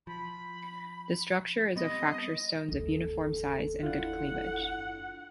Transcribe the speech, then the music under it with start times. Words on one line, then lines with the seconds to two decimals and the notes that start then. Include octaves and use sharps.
The structure is of fracture stones of uniform size and good cleavage.
0.07 F3 B5
1.76 G3 B3 C4 D#5
2.69 F#1 D#2 A4
3.83 D4 E4 F4 F#5